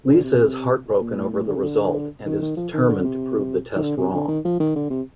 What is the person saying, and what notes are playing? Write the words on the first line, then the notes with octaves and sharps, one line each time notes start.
Lisa is heartbroken over the result and is determined to prove the test wrong.
D3
C3
A#2
A2
A2
D3
C3
D3
D#3
D#3
F3
D#3
D3
C3
D#3
D3
C3
D3
D#3
F3
D#3
D3
C3